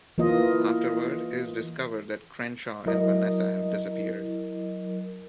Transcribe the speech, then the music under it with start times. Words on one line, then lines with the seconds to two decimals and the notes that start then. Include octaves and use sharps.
Afterward, it is discovered that Crenshaw and Vanessa have disappeared.
0.18 E3 A#3 F4 D#5
2.86 F#3 E4 A#4 D#5